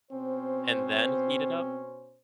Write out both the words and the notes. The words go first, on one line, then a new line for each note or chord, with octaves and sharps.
and then heat it up
B2 C4 C#4 C5